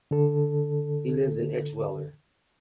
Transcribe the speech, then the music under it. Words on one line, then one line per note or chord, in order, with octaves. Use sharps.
He lives in Eschweiler.
D3 A4